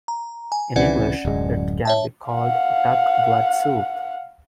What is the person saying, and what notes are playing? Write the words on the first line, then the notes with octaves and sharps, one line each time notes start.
In English it can be called "duck blood soup".
A#5
G#5
C#2 C3 E3 C#4 D5 F#5
D1 F#2 G#3
C#5 E5 A5
F5 F#5